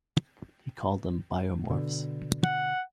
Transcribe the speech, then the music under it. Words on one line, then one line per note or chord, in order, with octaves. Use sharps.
He called them biomorphs.
B2 D3
F#5